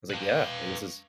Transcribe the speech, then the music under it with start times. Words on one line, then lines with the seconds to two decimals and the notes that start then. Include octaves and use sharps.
was like, "Yeah, like, this is"
0.10 B4 F5